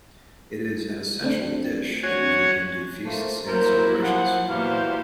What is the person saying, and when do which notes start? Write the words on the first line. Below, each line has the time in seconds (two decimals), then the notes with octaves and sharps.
It is an essential dish in many Hindu feasts and celebrations.
1.22 A3 C4 D4
2.03 F#4 C#5 G#5
3.05 A3 A#3 C5
3.47 F#3 A#3 E4 A#4 C5
4.04 F3 F#5
4.49 A#2 E3 F#3 G3 C5 F5